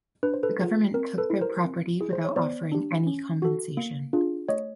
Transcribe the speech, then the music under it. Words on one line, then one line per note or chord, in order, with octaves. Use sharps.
The government took their property without offering any compensation.
D4 B4
C5
A4 B4
F4 G#4
C4 A#4
A4 B4
E4 G4
A#4 C5
C4
E4 G#4
C5
C#5
B3 C5 D5
D4 G4
C#4
F#4 A4
A#3
D4 F4 G#4
A3 C#5 D#5